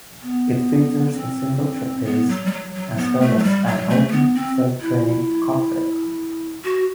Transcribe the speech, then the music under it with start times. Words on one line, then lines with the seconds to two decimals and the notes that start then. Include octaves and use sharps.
It features a single trapeze as well as an open, self-draining cockpit.
0.22 B3
1.13 C4
2.05 B3
2.29 F#3
2.46 G3
2.52 F#3
2.74 F#3
2.98 B3
3.21 A3
3.38 F#3
3.44 G3
3.67 F#3
3.90 A3
4.08 A3
4.12 B3
4.35 C4
4.81 E4
6.64 F#4